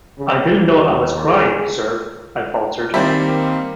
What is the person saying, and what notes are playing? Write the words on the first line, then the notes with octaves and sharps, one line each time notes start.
"I didn't know I was crying, sir," I faltered.
C#3
D#2
G#4
D#3 G3 A#3 C4 E4 C5 D5 B6